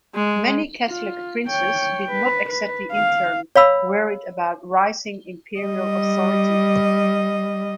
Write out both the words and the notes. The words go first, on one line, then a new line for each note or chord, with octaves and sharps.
Many Catholic princes did not accept the Interim, worried about rising imperial authority.
G#3
F4
C#5 G5
B4
B4
F5
C#5 F5 B5 E6
G3 D#5